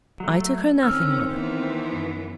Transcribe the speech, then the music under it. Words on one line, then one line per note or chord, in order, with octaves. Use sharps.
'I took her nothing, Mother.
F#3 A3
D#3 C4 C#4 E6 F6
E3 B3
F#2